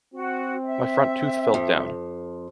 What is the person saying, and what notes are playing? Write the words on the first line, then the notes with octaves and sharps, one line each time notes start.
My front tooth felt down.
C4 F#4
E5
F2